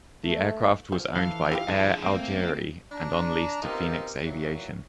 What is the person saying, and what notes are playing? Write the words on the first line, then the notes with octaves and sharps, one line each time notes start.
The aircraft was owned by Air Algerie and on lease to Phoenix Aviation.
A3
F3
E3 A4 F5
E4 F4 G4
D3 F3 D4 E4 G#4
A3 A#3 C4
D4 A#5
B3 C4 D#4 F4 G4 A#4
A#2 D#3 E3 F#3